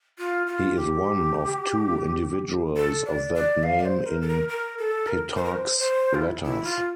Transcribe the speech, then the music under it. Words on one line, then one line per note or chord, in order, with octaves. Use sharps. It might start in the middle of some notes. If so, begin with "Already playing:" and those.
He is one of two individuals of that name in Petarch's letters.
F4
F4
G4
A4
D5
D5
F5
D5
C5
A#4
A4
A#4
A#4
A4
A#4
C5
A#4
C5
C5
F4
E4
E4
F4